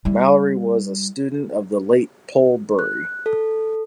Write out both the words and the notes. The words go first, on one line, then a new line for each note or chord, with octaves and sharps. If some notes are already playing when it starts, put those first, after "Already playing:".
Mallory was a student of the late Pol Bury.
G3 E4
F#6
A4